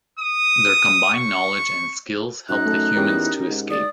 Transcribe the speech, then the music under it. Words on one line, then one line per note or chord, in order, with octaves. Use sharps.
Their combined knowledge and skills help the humans to escape.
D#6
C#6
F#2 D#4 F#6
A3 A4
E2 C#4 G4 A#4
G#2
D5 D#6